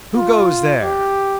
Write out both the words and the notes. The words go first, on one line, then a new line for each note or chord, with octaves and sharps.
"Who goes there?"
F4
G4